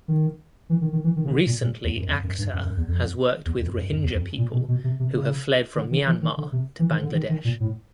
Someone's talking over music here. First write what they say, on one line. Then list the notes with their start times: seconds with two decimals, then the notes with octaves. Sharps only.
Recently Akhter has worked with Rohingya people who have fled from Myanmar to Bangladesh.
0.08 D#3
0.70 E3
0.81 D#3
0.93 D#3
1.04 E3
1.16 D#3
1.25 C#3
1.31 D3
1.46 A#2
1.62 A#2
1.84 E2
1.96 F#2
2.08 F2
2.23 F#2
2.38 G2
2.54 F#2
2.65 F#2
2.77 E2
2.88 F2
3.46 E2
3.61 F2
3.77 F#2
3.92 F#2
4.04 E2
4.15 F2
4.38 A#2
4.53 B2
4.68 B2
4.84 C3
5.00 C3
5.15 C#3
5.76 D3
5.91 D#3
6.06 E3
6.22 D#3
6.37 D3
6.52 C3
6.79 E3
6.91 D#3
7.02 D3
7.14 D#3
7.29 D#3
7.45 A#2
7.60 A2